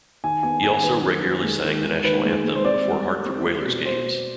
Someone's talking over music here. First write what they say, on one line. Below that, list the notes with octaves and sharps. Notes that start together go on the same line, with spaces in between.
He also regularly sang the national anthem before Hartford Whalers games.
D#3 G#5
B3 G#5
D#3 G#5
D#3 B4
G3
D#3
G#3
D#3
D#3
D#3 B4
G#3
G#3
C5
C4 D5
G3
C4
C4
C4
B2
B3 C5
B3